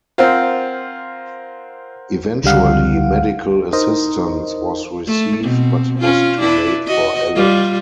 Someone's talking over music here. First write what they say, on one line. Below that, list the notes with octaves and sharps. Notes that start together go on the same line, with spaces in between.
Eventually medical assistance was received but it was too late for Allen.
C4 F4 A#4 C5 F#5
C#2 D3 G3 F5 F#5
D#4 A#4 C5 D#5
A3
B2 C4
C#4 F4
D4 E4 B4
F#4 D#5
G3 F4